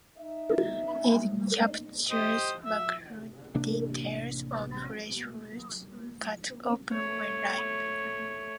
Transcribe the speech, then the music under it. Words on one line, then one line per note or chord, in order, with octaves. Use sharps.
It captures macro details of fresh fruit cut open when ripe.
D#4 E5
G4 C5 D#5
E5
A1 C3 A#3 D4
A3 C#5